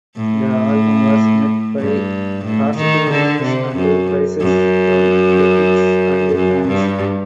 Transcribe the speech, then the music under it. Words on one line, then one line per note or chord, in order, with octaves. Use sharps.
The album was met by positive reviews and praise from critics and fans.
A2
G2
A2
D#3
D3
C3
F#2
F#2
F#2
G2